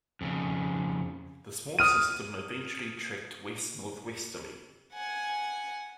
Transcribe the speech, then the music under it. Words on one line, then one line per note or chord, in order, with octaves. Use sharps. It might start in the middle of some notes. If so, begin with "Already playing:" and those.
The small system eventually trekked west-northwesterly.
F2 C#3
D#6 F6 D#7
F#5 G#5